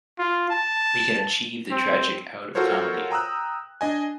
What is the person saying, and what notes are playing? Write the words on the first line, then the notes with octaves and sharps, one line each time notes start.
We can achieve the tragic out of comedy.
F4
A5
C4
F4 F#4 A4 A#4 C5 C#5
G5 A#5 D#6 E6 F#6
D4 D#5 G#5